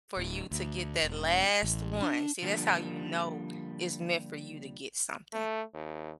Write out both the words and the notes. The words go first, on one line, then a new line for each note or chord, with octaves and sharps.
for you to get that last one. See, that's how you know it's meant for you to get something.
D1
D2
E1
A1
D4
D3 F3 G3 A#3
A3
D#2